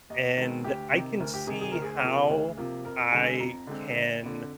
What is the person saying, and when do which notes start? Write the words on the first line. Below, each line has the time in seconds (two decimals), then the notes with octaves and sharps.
and I can see how I can
0.10 D#2 D#5
0.37 D#3 G#3 C4
0.64 D2 G4
0.92 C3 D#3
1.20 D2 A#4
1.34 G4
1.47 C3 D#3 G#4
1.61 G#4
1.72 D2 A#4
1.82 G#4
2.02 C3 F3 A#3
2.30 D2
2.57 C3 F3 A#3
2.85 F2 A#4
3.12 D3 G#3 C4 G#5
3.40 F2 A#5
3.67 D3 G#3 C4
3.95 G1
4.23 F2 D3